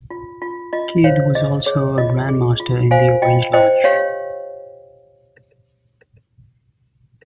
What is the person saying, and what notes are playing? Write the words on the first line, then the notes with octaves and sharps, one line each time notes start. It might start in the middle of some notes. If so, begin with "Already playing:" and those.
Kidd was also a Grand Master in the Orange Lodge.
F4
F4
F4 D#5
C5 C#5 F5
G#4 D#5
G#4 C#5
F4 D#5
G#4
F4
C5 F5 G#5
F4 D#5 G5
C5 D#5 G5
G4 C#5 F5